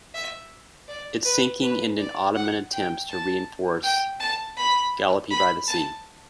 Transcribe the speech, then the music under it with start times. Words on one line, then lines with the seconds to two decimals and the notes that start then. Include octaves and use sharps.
Its sinking ended Ottoman attempts to reinforce Gallipoli by sea.
0.14 E5
0.88 D5
1.25 B4
1.62 B4
1.99 D5
2.35 F#5
2.72 G5
3.09 A5
3.83 G5
4.20 A5
4.57 B5
5.31 B5
5.68 A5